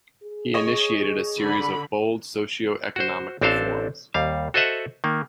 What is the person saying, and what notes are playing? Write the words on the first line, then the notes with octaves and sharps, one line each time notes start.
He initiated a series of bold socio-economic reforms.
G#4
C#5 D#5
D3 B5
F#4 C5
A1 C4 D4 A4 C5 F5
D#2 G3 F5
F#4 A4 C5 D#5 E5 F#5
D#3 A#3